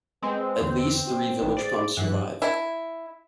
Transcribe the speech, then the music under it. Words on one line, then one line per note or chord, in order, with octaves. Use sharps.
At least three village pumps survive.
G#3 C4 B4
E2 D3 C4
F#4 G5
A1 D#4 B4
G#4 C5 D5
G2 E3 F#3 F#5 F#6
E4